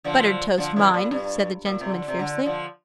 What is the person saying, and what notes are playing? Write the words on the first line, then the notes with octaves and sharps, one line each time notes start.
'Buttered toast, mind,' said the gentleman fiercely.
D3 F3
D3 F3
C3 E3
A#2
G2
A#2
C3
D3
C3
D3
D3 F3